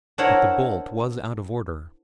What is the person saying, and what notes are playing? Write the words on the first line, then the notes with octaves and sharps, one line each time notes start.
But the bolt was out of order.
D4 E4 A#4 C5 C#5 F#5